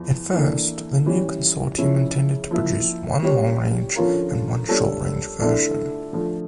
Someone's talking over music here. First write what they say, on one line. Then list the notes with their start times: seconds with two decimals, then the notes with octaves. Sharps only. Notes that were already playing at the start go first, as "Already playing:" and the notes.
At first, the new consortium intended to produce one long-range and one short-range version.
Already playing: E2 F3
0.33 E3 A#3 D4 A4
1.06 E3 G3 C#4
1.78 C#3 F3 C#4 E4
2.51 F3 A#3 E4
3.23 G3 C#4 G4 C#5
3.96 D3 F3 C#4 F4 A#4
4.68 G3 D4 A4 C#5
5.40 D3 A3 E4 A4 D5
6.13 D3 F3 A3